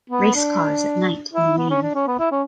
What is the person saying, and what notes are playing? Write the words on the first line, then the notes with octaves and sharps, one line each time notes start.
Race cars at night in the rain.
B3
D4
E4
B3
C#4
D4
C#4
B3
E4
C#4